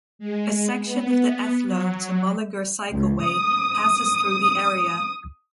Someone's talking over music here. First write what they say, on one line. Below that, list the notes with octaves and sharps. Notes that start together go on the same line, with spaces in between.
A section of the Athlone to Mullingar Cycleway passes through the area.
G#3
B3
F#3
C#2
D#6